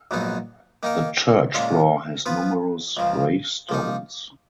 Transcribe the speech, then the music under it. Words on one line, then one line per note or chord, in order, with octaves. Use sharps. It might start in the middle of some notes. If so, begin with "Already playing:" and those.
The church floor has numerous gravestones.
A#1 G#2 F#3 B3 D#4
D#3 A#3 D#4 A#4
A#2 G#3 C#4 F4
F3 B3 F4 B4
C#2 C#3 F3
F3 A#3 D#4